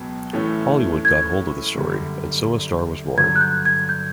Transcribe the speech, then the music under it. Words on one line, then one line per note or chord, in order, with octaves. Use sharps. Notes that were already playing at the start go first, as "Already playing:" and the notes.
Hollywood got hold of the story, and so a star was born.
Already playing: C#2 B2 F#3
A2 E3 A3 C#4
G#6
F#2 D3 G3
G2 D3 F#3 G#6
F#6
G6
G#6
G6